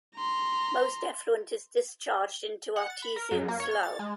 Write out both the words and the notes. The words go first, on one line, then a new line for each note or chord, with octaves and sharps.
Most effluent is discharged into Artesian Slough.
A#5 C6
F#5
A6
B5
A#4
F#2
A#3
C#5
F6
A6
G#3